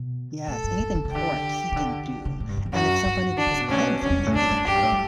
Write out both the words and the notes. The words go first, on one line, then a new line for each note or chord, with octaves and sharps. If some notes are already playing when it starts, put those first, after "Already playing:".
Yes, anything pork he can do, and it's so funny because I'm from India I
Already playing: B2
A2 A4
G2
G2
D3
C#3
D3 G4
C#3
D3
C#3
A2
G2
F#2
E2
F#2 F#4
G2
D4
D3
C#3
B2
A2 C#4
B2
G2 C#4
E2
G2
A2
F#2 D4
G2
F#2 G4
G2
A2
G3